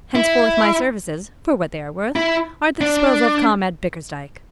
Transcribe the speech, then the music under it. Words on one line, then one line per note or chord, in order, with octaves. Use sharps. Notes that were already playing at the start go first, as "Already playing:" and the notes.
Henceforth my services, for what they are worth, are at the disposal of Comrade Bickersdyke.
E4
E4
D4